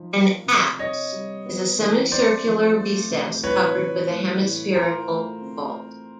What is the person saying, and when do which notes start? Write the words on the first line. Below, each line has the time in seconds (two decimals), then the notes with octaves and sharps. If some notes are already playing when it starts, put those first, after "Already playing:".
An apse is a semicircular recess covered with a hemispherical vault.
Already playing: F3 D#4
0.14 A#3
0.46 C3
0.79 D4 C#5 D#5
1.13 G3
1.45 B3
1.79 E3
2.12 C4 C5 D5
2.44 F3
2.77 A3
3.11 C3
3.44 A2 B4 C#5
3.76 E3
4.09 A3
4.42 A2
4.75 F4 A#4 C5
5.09 A3
5.42 C4